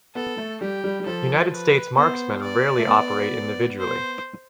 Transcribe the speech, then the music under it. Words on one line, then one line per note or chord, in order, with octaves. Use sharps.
United States marksmen rarely operate individually.
B3 A4
A3
G3 G4
G3
G3
F3 A4
B4
B3 C5
D5
A3
B3
C5